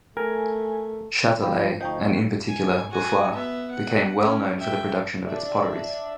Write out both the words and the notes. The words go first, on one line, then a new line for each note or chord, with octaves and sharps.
Chatelet, and, in particular, Bouffioux, became well known for the production of its potteries.
A3 A#4 G#5
F3 F5 G5 B5
D2 F3 D#4 D#5 G5 C#6 G6
G#5
F#4 G#5
B3 E5
F#5
C#4
E5 G5
D4 D5 E5